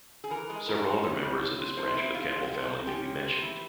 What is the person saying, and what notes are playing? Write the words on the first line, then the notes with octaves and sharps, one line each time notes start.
Several other members of this branch of the Campbell family may be mentioned.
G#4
E3 A#4
G#3 G#4
E3 A#4
C#4 C5
A#2 C#5
G3
A#2
C4
F3 C5
C4 E4
C4 F4
F3
C3
F3
C#4 G4
A#3
C3
E3